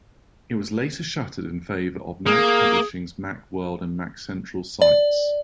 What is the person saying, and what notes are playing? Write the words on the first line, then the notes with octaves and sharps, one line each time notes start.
It was later shuttered in favor of Mac Publishing's Macworld and MacCentral sites.
A#3 G#4
D5